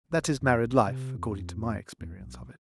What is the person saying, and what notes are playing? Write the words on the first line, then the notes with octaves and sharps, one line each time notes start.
That is married life, according to my experience of it.
E1
F2
G#1
C3
F2
E2
B1